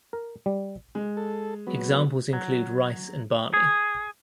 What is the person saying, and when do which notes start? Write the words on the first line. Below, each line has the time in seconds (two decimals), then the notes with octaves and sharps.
Examples include rice and barley.
0.13 A#4
0.46 G3
0.95 G#3
1.17 A4
1.67 F#3 B3
2.33 F#3
3.54 G#4